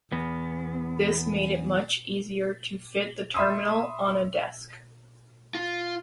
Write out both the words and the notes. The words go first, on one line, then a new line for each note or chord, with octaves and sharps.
This made it much easier to fit the terminal on a desk.
E2 B3
E5 B5 C6 D#6 E6
F4